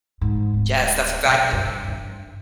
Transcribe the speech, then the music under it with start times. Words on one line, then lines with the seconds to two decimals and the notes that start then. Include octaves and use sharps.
Yes, that's exactly
0.21 G#2
0.54 D1
1.25 B1
1.53 G2
1.88 G2